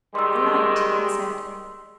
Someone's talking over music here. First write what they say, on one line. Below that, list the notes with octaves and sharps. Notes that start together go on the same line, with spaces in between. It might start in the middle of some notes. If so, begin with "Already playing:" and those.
"A light," he said.
D#3 G3 G#3 C6 E6